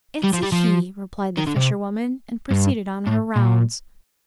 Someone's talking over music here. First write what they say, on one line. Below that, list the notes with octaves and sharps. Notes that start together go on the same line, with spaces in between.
"It's a he," replied the fisherwoman, and proceeded on her rounds.
G3
F3
G3
F3
D#3
D3
C3
G2
A2
A#2